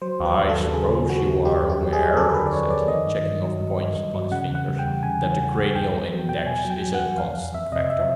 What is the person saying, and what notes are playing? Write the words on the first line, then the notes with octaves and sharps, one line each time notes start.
"I suppose you are aware," said he, checking off points upon his fingers, "that the cranial index is a constant factor?"
F#3 C5
D#2
B4
D#2
A4
F#3
C#3 G#4
D#2
D#2 F#4
D#2
F2 G4
F2
G4
F#3
G#4
F2
F#3 A4
A#4
D3 B4
D5
F2 C#5
F2 D5
D#3 D#5
G2
D#3
F#3
G2
G2
G2
F#3
C#3 F#5
E2
F#5
G3
G5
E2
C#3 G#5
E3
E3
E2
E2 G5
E2
F#3
B2 G5
B2 G#5
F#3
G5
F#3
F#5
E2
F2 F5
F2
F2 E5
C3 D#5
C3 E5